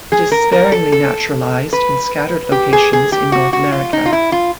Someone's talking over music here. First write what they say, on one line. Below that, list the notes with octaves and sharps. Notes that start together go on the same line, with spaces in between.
It is sparingly naturalised in scattered locations in North America.
G#4
A#4
A#4
A4
A4
B4
G4
G#4
G#4
G4
F#4
F#4
F4
D#4
F4
E4
F4